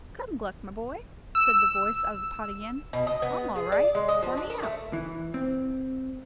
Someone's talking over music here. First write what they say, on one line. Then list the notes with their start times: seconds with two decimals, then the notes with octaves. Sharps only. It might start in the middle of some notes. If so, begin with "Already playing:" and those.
"Come, Gluck, my boy," said the voice out of the pot again, "I'm all right; pour me out."
1.35 E6
2.93 B2
3.07 D#5
3.22 B3
3.56 G#4
3.72 D5
3.95 G#3
4.09 D#5
4.23 F3
4.37 D4
4.50 A#4
4.63 A3
4.93 E3
5.34 C4